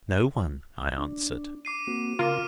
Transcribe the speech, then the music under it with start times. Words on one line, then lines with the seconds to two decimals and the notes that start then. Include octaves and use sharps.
"No one," I answered.
0.98 D4
1.65 D6 C7 D#7
1.87 A#3 C4 F#4
2.19 C#3 F4 A#4 D6 F6 D#7